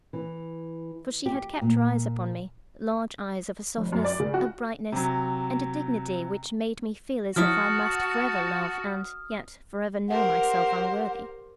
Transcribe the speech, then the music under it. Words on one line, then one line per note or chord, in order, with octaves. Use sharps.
For she had kept her eyes upon me; large eyes of a softness, a brightness, and a dignity which made me feel as if I must for ever love and yet for ever know myself unworthy.
E3
G4
A#2
F1
F#2
D5
C#3
F#4
C3 F#3
F3 F#3 E4 F#4 A5 D#6 F6
G4 A#4 C5 F#5